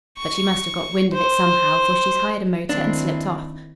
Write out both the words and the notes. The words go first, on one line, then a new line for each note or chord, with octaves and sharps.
But she must have got wind of it somehow, for she's hired a motor and slipped off.
C#6
C5
D#3 A#3 C4 D4 E4